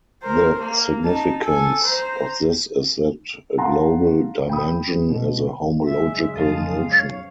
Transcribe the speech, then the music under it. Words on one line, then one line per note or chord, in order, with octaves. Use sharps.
The significance of this is that a global dimension is a homological notion.
A#4 C5
A#3
D#4 A5
A4 G#5
C5 A#5
F5 F#5 A5 A#5 C6
G5 B5 D#6
B2
F#2 C#3 G#3 E5
F2 F5 A5 D#6
C#5